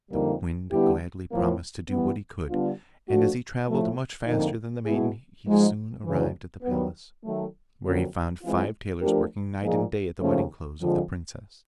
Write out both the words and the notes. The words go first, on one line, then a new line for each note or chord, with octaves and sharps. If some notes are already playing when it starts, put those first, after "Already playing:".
The Wind gladly promised to do what he could, and as he travelled much faster than the maiden he soon arrived at the palace, where he found five tailors working night and day at the wedding clothes of the princess.
F2 D3 G3 A#3 D#4
D3 G3 B3 E4 G4
A2 F3 A#3
E3 G3 B3
D3 G3 B3 D4 F4
F3 A3 D4 F#4
A2 F3 A3
F2 D3 F3 A#3 D#4
B2 G#3 B3 E4 G#4
G#2 F3 G#3
D2 C#3 E3
G2 D#3 F#3 B3
D#3 F#3 A3
F2 D3 F#3 A#3 C#4
E3 G#3 C4 F4
F3 A3 D4 G4 A#4
A#2 F3 A#3 D#4 G#4
D#2 C#3 F3 A3 C#4
F2 D3 F3 G#3